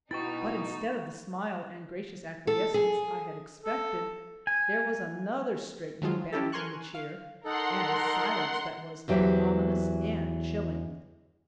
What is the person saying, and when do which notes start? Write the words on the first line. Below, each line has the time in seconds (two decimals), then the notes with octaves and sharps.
But instead of the smile and gracious acquiescence I had expected, there was another straightening back in the chair, and a silence that was ominous and chilling.
0.11 B2 D#4 E4 G5 C#6 A6
2.47 A4
2.74 G#4
3.63 A4
4.47 G#5
6.02 D#3 F3 F#3 G#3 F4
6.32 C#4 E4 G4 A4
6.52 A#4 G#5 C6 C#6 F#6
6.94 F5
7.45 D#4 A4 A#4 F#5 C6
9.08 E2 E3 F#3 G4 C5 E5